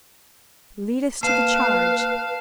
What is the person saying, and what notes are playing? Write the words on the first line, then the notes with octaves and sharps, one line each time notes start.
Lead us to the charge!
A#3 B4 F5 A5 C7 E7